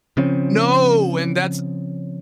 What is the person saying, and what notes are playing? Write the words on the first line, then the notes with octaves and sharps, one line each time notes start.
No, and that's
C#3 F3 C4 C#4